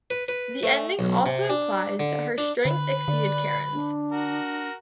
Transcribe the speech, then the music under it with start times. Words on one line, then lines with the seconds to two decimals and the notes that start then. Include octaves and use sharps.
The ending also implies that her strength exceeded Karen's.
0.10 B4
0.28 B4
0.63 A3
0.99 B1
1.26 C3
1.50 D4
1.99 D3
2.38 D4
2.65 D3 B4
3.08 D3 D5
3.73 D4
4.11 F#4 A#4